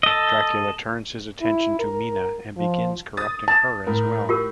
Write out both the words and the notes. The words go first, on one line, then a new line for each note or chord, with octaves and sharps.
Dracula turns his attention to Mina and begins corrupting her as well.
A4 D#5
E4
A#4
F3
D#6 A6
A5
A2 A#4
F4 G4 A#4